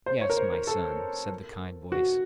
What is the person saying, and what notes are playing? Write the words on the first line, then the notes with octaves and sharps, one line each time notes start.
"Yes, my son," said the kind voice.
C5
C#5
A#4
C5
A#4
A4
F#4